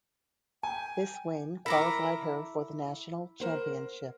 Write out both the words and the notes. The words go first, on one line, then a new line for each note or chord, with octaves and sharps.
This win qualified her for the national championship.
G5 G#5
E4 A4 A#4 A#5 D6
A#4 C5 F#5